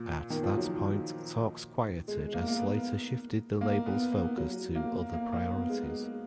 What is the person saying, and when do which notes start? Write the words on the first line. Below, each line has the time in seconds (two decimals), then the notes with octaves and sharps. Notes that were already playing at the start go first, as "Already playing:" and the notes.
At that point, talks quieted as Slater shifted the label's focus to other priorities.
Already playing: A#2
0.30 D#3
0.43 F3
0.57 F#3
2.08 G#3
2.34 A#3
2.48 A#3
2.59 B3
3.61 A#3
3.86 B3
4.12 A#3
4.38 F#3
4.75 A#3
5.13 A#3
5.32 A#3
5.51 B3
5.70 G#3